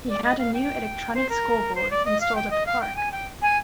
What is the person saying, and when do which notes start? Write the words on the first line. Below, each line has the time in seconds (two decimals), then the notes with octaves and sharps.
He had a new electronic scoreboard installed at the park.
0.08 D5
0.24 D#5
0.38 F5
0.53 G5
1.14 C5
1.29 A#4
1.75 C5
1.90 D5
2.05 D#5
2.20 F5
2.35 G5
2.50 D#5
2.66 F5
2.81 G5
2.96 G#5
3.11 G5
3.42 G#5